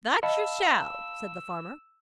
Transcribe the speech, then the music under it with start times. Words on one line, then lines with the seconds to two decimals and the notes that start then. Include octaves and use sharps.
'That you shall,' said the farmer.
0.23 D#5 F5 A5 B5 E6